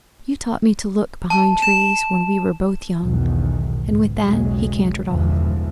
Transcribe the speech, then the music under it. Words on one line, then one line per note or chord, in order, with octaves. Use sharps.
"You taught me to look behind trees when we were both young." And with that he cantered off.
A5
E7
B1 E2 G#2 B2 D#3
C#2 G#2
B1 E2 C#3 F#3 G#3
G1 E2 B2 E3 F3 G#3